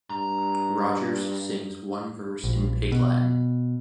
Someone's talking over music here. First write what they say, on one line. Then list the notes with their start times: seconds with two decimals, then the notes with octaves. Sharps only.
Rogers sings one verse in Pig Latin.
0.10 G2 A#5
2.44 A#1
2.92 B2